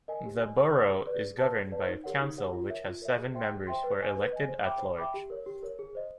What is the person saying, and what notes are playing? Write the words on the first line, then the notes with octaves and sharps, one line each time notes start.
The Borough is governed by a council which has seven members who are elected-at-large.
A#4 D#5 G#5
G4
A#4 D#5 G#5
G#4
B4 D5
G#4
B4 D5
G#4
B4 D5 F5 A5
G#4
B4 D5 F5 A5
D#4
G4 A#4 C#5 F#5
D#4
G4 A#4 C#5 F#5
F4
A#4 C#5 E5
F4
A#4 C#5 E5
G#4
C5 E5 G5 C6
G#4
C5 E5 G5 C6
B4
D#5 G#5
B4
D#5 G#5
C5
E5 G5 B5 D6
C5
E5 G5 B5 D6
G4
A#4 C#5
G4
A#4 C#5
G#4
C5 D#5